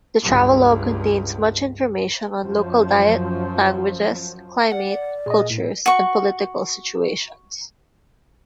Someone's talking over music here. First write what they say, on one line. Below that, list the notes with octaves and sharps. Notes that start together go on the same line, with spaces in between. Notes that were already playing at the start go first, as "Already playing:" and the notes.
The travelogue contains much information on local diet, languages, climate, cultures, and political situations.
C#2 G2
F#2 F3
D5 F#5
A#2 G#4 D#5
A2
F#4 C#6